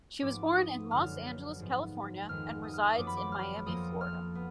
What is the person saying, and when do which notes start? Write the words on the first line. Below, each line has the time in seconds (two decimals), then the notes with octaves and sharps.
She was born in Los Angeles, California, and resides in Miami, Florida.
0.22 G#2 F3 B3 D6
0.56 D#6
0.91 F#2 D3 G#3 B3 F6
1.60 G#2 F3 B3
2.29 F2 D#3 G#3 B3 F6
2.64 D#6
2.73 F6
2.83 D#6
2.97 F#2 F3 B3 D6
3.07 B5
3.17 D6
3.32 F6
3.66 F2 F3 A#3 D#6
4.01 F6
4.35 B3